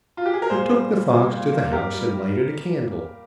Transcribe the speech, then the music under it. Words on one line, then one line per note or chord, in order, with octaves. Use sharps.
We took the fox to the house and lighted a candle.
F4
G4
G#4
A#4
A#2 G#4 C5
G3
G3
G3
A#2
A#3
A#3 G4 A#4
G3
G3
G3